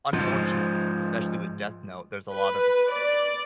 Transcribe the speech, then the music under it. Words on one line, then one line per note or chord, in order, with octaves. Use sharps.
unfortunate eh, especially with Death Note, there's a lot of
G#2 F3
B4
D5